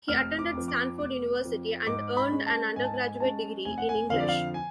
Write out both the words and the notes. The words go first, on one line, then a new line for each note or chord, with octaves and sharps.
He attended Stanford University and earned an undergraduate degree in English.
F1 F6
D6
F2 F3
D6
F1 D6
F2 F3
G#2 D6
B5
G#3 C#4
A5
G#2 G#5
A5
G#5
G#5
G#3 C#4 A5
F1 G#5
F#5
G#5
F2 D3 F3 F5
D5
F5
G#5